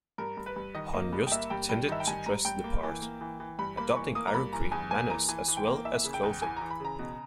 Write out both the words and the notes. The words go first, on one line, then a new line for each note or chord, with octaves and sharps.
Hon-Yost tended to dress the part, adopting Iroquois manners as well as clothing.
G2 A#4
G2
B4
G2
D#3 D#5
A#3
G2
G5
A#3 E5
G2 G5
G2 G5
D#3 E5
G5
G2 G#5
G2 A#5
G2 G5
A#3
E3
A#3
E3
E3
G2 B5
A#3 B5
E3 C#6
A#3 D#6
A#5
G2 B5
E3 A#5
E2 G#5
A#3 G#5
E3 A#5
E3 G#5
E3
G5
A#3
E3 E5
C#3
G5
E2
E3 G#5
E3 A#5
B5
C#3 A#5
B2